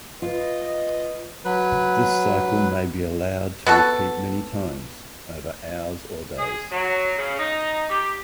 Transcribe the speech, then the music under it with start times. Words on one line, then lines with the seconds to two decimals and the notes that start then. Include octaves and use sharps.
This cycle may be allowed to repeat many times, over hours or days.
0.22 F4 B4 D#5
1.45 F#3 B4
3.66 B3 F#4 A4
6.37 G#4
6.71 F#3
7.17 C#3
7.39 D#4
7.88 G4